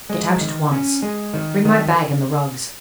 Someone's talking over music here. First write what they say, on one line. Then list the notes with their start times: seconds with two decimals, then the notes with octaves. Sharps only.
Get out at once! Bring my bag and the rugs!
0.10 G#3
0.41 D#3
0.72 C#4
1.02 G#3
1.34 D#3
1.65 D#3